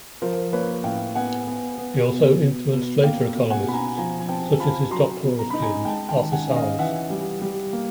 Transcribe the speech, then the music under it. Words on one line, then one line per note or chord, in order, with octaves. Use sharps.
He also influenced later economists, such as his doctoral student Arthur Salz.
F3 A#4 C5
A#3 B4 C#5
A2 F5 G5
B3 F#5 G#5
B3
B3
B2
B2
B2
A#3 F5 G5
B2
F#5 G#5
B2 B5
G#5 A#5
F3 G#5 A#5
G#5
C4 G5 A5
F4 A5 B5
F#3 A#5 C6
B2
A#5
D#4 B5
G#5 A#5
G#3 G5 A5
G5 A5
D#3
F#5 G#5
C#4
D#5 F5
E3 E5 F#5
G3
G3
A#3